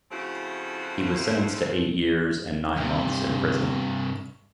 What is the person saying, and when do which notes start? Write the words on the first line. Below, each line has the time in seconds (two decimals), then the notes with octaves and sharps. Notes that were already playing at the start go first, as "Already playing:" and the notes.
He was sentenced to eight years and nine months in prison.
0.11 C#3 F3 A3 C4 E4 F#4
2.77 G2 C3